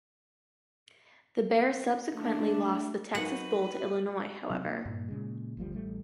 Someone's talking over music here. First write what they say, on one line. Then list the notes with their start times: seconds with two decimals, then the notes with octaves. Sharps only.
The Bears subsequently lost the Texas Bowl to Illinois, however.
2.15 A3 D4
3.15 F#3 D#4 B4 F#5
4.50 C3 F#3 C4
4.66 A#3
4.85 G2 A#2
5.08 A#2 C#3 G#3
5.57 F#1 D2 F3 G3
5.73 A1 G3 A3